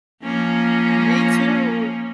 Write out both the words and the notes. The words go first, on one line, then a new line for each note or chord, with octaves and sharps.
Me too.
F3 A#3 C#4